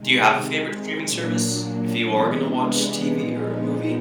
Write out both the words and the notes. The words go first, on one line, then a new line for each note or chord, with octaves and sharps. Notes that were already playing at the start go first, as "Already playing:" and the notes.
Do you have a favorite streaming service, if you are gonna watch TV or a movie?
Already playing: C3 D#3 G#3
A#2 F#3 A#3 D4
C3 E3 G#3 B3 D4
A#2 F3 G#3 B3 D#4